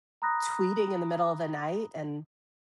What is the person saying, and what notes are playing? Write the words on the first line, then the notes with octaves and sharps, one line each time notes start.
tweeting in the middle of the night and
A#5 B5 D#6 F#6 A#6